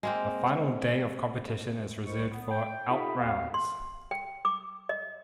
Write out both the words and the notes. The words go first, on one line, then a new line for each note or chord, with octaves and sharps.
The final day of competition is reserved for out-rounds.
G#3 A#3 C4
C2 E4 A#4 C5 D#5 C#6
B3
G5
D#4 F4 G4 A4 F5 B5
D#2 A#3 C4 F#4 F5
C6
G5
D6
D#5